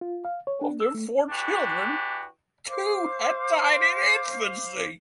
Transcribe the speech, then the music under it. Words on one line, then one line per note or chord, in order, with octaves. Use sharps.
Of their four children, two had died in infancy.
F4
F5
C#5
D4
E6
A3
E3 D4 F#4 G4
C5 F5 D6